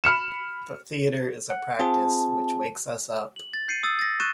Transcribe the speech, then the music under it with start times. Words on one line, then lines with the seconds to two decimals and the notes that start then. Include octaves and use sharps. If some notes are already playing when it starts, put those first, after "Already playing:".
The theatre is a practice, which wakes us up.
0.04 B5 F6 C#7 E7
1.50 F#5
1.79 C4 F4 G#4 A5
3.36 F#7
3.54 A6
3.68 G6 C7 C#7 D#7
3.83 D#6 E6 A6
3.99 A6 A#6
4.20 C#6 F#6 G6 A6 D#7 E7